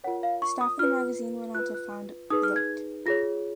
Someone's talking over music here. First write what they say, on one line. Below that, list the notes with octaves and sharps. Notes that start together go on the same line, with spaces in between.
Staff of the magazine went on to found "Blurt".
F4 A#4 C#5 F#5
F5
C#6
D#6
F4 B4 F6
F4 B4 F#6
F#6
D#4 G#4 B4 D#6
F6
G#6
F4 G#4 C#5 A#6